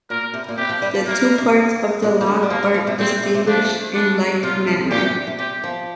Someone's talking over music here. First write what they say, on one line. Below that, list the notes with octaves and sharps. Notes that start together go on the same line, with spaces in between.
The two parts of the lock are distinguished in like manner.
A#2 A#4
C3
A#2
C3 G4
F3
G3
F3
C3 A#3
A#2
F3
D3
G3
F3 A#3
G3
F3
C3
A#2 C4
C3
C3
F3 D4
D4
C3 F4
C3
A#2 G4
C3
C3
C3 G4
F3